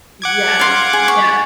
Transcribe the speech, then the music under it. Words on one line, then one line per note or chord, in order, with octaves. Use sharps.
Yes, yeah.
F#5 D6 G#6
F5 C6
G#4
C#6